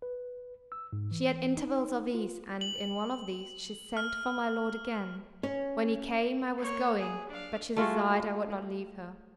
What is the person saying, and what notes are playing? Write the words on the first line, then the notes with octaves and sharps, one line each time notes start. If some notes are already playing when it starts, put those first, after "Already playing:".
She had intervals of ease, and in one of these she sent for my lord again; when he came, I was going, but she desired I would not leave her.
B4
E6
G#2
E3
D#4
F4
F#7
F6
C#4 C#5
A#3 C#5
G#4
D4 F5
A3 F4 F#4 G#4